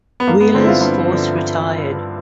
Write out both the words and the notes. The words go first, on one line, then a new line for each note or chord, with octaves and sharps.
Wheeler's force retired.
B3
G2 A#3
B3
D3 F3 C4
E4
F4
G2 F4
D3 F3